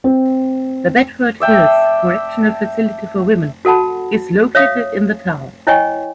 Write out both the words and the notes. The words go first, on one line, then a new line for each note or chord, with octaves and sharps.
The Bedford Hills Correctional Facility for Women is located in the town.
C4
D5 E5 G5 A5
F#4 A4 F#5 A5 B5
C#5 E5 F5 D#6
E4 C#5 D#5 G5 G#5 C#6